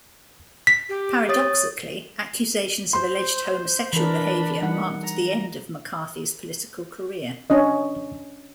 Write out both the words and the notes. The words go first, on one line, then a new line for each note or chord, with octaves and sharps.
Paradoxically, accusations of alleged homosexual behaviour marked the end of McCarthy's political career.
B6
G4
C#5 D#6 A6
C5 C6
E3 D4 A#4 B5
G3 D#4 F#5
A#5
C#4 D4 D#5